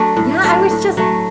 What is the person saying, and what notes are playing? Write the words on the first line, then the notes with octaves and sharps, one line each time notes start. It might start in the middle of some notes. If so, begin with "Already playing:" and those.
Yeah, I was just
Already playing: F#3 A3 D4
A2
F#3 A3 D4
A2
F#3 A3